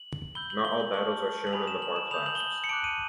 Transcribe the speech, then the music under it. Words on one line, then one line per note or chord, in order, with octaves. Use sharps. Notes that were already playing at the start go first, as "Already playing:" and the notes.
Not all battles are shown on the bar clasps.
Already playing: F#7
B5 E6 G6 G7
F#7
G7
F#7
A5 C#6 F6 F#7
F#7
G#5 B5 D#6 F7
E7
F#7
E7
B5 D#6 G6 F7
F#7
G7
F#7
C#7
A5 D6 F#6 D7
D#7